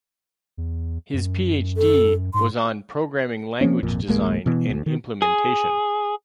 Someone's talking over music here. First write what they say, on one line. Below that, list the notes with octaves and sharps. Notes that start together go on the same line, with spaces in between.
His PhD was on programming language design and implementation.
E2
F#2
A4
G#2 C6
F3 A#3 C4 C#4
G#1 F2 A#2
D1 A1 G#3 A#3
B2 E3 B3
D2
D#3
G#4